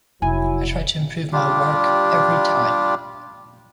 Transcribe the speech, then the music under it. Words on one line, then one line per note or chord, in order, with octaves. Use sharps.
I try to improve my work every time.
F1 F#3 E4 G#5
G3 D4 F4 G4